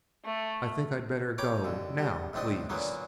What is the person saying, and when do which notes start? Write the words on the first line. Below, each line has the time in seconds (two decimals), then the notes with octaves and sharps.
"I think I'd better go, now, please."
0.24 A3
1.38 C#5 G5 A#5 B5 D6
1.64 D#2 D3
1.98 G3
2.33 C#2 A2 C4 D4 D#5
2.70 A#2 D3 F#3 A#3 B3